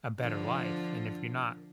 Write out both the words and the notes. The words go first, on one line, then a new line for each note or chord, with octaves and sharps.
a better life, and if you're not
D3 F3